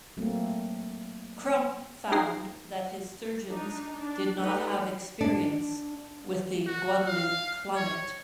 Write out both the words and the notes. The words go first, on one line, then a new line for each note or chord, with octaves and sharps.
Crump found that his surgeons did not have experience with the Guadeloupe climate.
F#3 A3 A#3 C4
D#4 G#4 G5 A#6 C7
D4 D#4
D4
A3 D#4 G4 G#4 B4 F#5
D4
F#4
F5
C#5